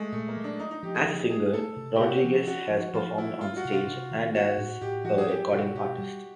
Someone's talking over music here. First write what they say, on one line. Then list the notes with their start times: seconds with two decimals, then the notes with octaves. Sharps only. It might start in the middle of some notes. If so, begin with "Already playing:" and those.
As a singer, Rodriguez has performed on stage and as a recording artist.
Already playing: G#3 A3
0.12 A#2 A3
0.28 A#3
0.37 F#3
0.44 D4
0.60 D4 D#4
0.71 D#4
0.83 F3 G4
0.95 G#4
1.06 F3
1.29 A3 G#4
1.54 A3 A4
1.76 C3
1.96 G4
2.00 C3 F#4
2.24 F3
2.47 C#4 F#4
2.71 F3
2.94 F3 F4
3.18 A3 E4
3.41 G#3 F4
3.57 F#4
3.65 C3
3.72 F4
3.87 C3
4.11 D#3
4.34 A#3 F#4
4.58 A2
4.81 A2 G4
5.04 F3 F#4
5.18 G#4
5.28 C4 G4
5.52 B2 F#4
5.75 B2 G4
5.98 G3